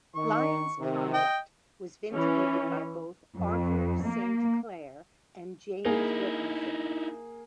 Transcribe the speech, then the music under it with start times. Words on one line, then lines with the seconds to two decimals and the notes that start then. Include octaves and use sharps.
Lyon's conduct was vindicated by both Arthur Saint Clair and James Wilkinson.
0.15 D#3 C#6
0.78 C3 D#3
1.14 D#5 G5
2.13 E3 C#4
3.35 F2
4.03 A#3
5.85 A#3 D#4 E4 G#4